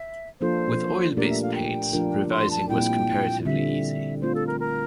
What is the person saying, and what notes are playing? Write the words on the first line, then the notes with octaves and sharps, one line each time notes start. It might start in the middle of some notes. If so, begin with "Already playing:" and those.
With oil-based paints, revising was comparatively easy.
Already playing: E5
F3 A#3 D4 F4 A4 C5
A#2 A3 D4 G4 A#4 D5
E5
F5
G5
F3 A3 D4 F4 A#4
C6
A5
A#2 G3 C4 E4 G5
D3 G3 C4 E5
A3 C4 F4 C5
A4
A#4
A#4